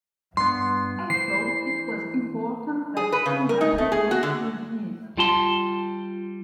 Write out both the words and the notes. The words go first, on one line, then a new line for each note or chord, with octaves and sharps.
I thought it was important that somebody went to his.
G2 B3 C6
E3 C5 C7
G#4
B4
C#3
A#4
D#4
A3
G#4
F#4
D3
G3 F4 A5 C6